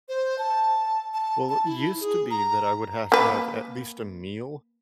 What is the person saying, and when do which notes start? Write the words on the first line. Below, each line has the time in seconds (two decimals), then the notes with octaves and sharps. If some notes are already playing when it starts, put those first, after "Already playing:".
Well, it used to be that I would have to have at least a meal,
0.09 C5
0.39 A5
1.14 A5
1.49 A5
1.65 E4
2.01 G#4
2.31 A#5
3.12 A#3 B4